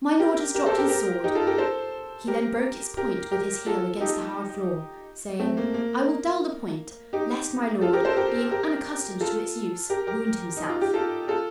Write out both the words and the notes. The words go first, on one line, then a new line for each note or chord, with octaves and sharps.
"My lord has dropped his sword." He then broke its point with his heel against the hard floor, saying: "I will dull the point, lest my lord, being unaccustomed to its use, wound himself."
G4 A#4
G4 A#4
A4 C5
G4 A#4
G4 A#4
D#4 G4
F4 A4
G4 A#4
A4 C5
G4 A#4
G4 A#4
G4 A#4
F4 A4
D#4 G4
A3 C4
A#3
A#3
D#4 G4
F4 A4
G4 A#4
A4 C5
G4 A#4
G4 A#4
F4 A4
G4 A#4
G4 A#4
D#4
F4
G4
F4 A4
F4 A4